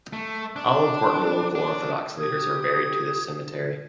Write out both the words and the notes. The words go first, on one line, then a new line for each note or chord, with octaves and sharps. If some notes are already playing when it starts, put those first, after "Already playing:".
All important local orthodox leaders are buried to this cemetery.
A3
D4
D4
G4 D#6 G#6